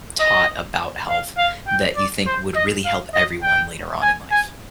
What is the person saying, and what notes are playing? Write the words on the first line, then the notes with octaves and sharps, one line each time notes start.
taught about health that you think would really help everyone later on in life?
D#5
F5
F5
G5
D5
C5
D#5
F5
D#5
G5
G#5
G#5